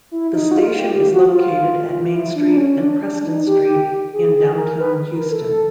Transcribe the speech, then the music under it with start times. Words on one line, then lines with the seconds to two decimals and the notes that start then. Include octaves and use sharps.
The station is located at Main Street and Preston Street in Downtown Houston.
0.11 E4
0.34 D#4
0.51 F#4
0.56 F4
0.78 G4
0.95 G4
1.12 F#4
1.28 F4
2.12 E4
2.36 D4
2.49 D4
2.57 C#4
2.69 C#4
2.80 D4
3.03 D4
3.25 D#4
3.47 G4
4.13 G#4
4.37 G#4
4.58 A#4
4.76 A#4
4.80 B4
5.14 A#4
5.31 A4